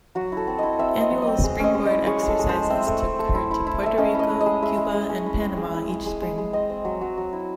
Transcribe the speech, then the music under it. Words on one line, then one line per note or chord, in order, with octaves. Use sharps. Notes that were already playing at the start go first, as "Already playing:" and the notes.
Annual "Springboard" exercises took her to Puerto Rico, Cuba, and Panama each spring.
F#3 F#4
E4 A4
C4
E4 D#5
C4 E5
C4
D#5
F#3
D#5
C4
G#3
C#4 D#5
G#3
D#5
E4
G#3 C#5
G#3
A4
G#3
C5
G#3
C4 E5
A3
C4
A3
E4
E4
E4
A3 E5
C#4 D#5
E4 D#5
E4
D#5
G#3
G#3 E5
G#3
G#3
C#4
E4
C4
G#3
E4
G#3
G#3
G#3
G#3
C4 D#5
C4
F#3
F#3
F#3
E4